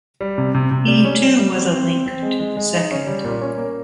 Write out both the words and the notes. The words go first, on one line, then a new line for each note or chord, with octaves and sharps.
He too was a link to the second.
G3
C3
C3
C3
G3
C#4
G3
G3
C4
C4
C4
C4
G#3
G#3
G#3
D#4
C#4
G3
A#2
C#4
A#3